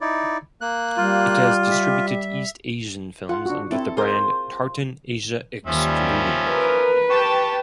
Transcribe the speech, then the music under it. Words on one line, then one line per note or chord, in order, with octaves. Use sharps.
It has distributed East Asian films under the brand "Tartan Asia Extreme".
D#4 E4 D5
A#3 F#6
G3 F4
E5
F4 F#5
D4 F#4
C4 E4 A4
F4 G#4 A#4 C5
D#2 F3 G3 C#4 E5
A#4 B4
G4 G5 A5 C#6